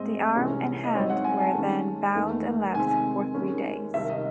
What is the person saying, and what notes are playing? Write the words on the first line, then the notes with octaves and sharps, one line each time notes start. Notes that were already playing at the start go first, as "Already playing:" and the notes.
The arm and hand were then bound and left for three days.
Already playing: A2 G#3 C4 D#5
C2 C3 E3 G#3 C#4
D#5
G#2 F#3 C4 C#5
F#5
G#5
A5
D#2 D#3 G#3 C#4
E2 D#3 A3
C3 D#3 G#3 C4 G#5
D#2 D#3 G#3 C#4
C2 C3 D#3 E5
D#5